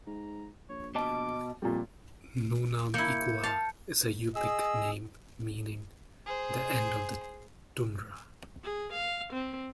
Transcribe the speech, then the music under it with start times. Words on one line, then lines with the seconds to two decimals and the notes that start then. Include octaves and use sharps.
"Nunam Iqua" is a Yupik name meaning "the end of the tundra".
0.07 G#2 A#5
0.69 A#1 C#5
0.95 B2 D#5 A5 D6
1.62 F2 A#2 G3 A3
2.94 A#3 E4 G6 C#7
3.43 F5 A5
4.35 G#4 D#5 E6
6.26 G#4 C5
8.64 G#4
8.93 F5
9.33 C4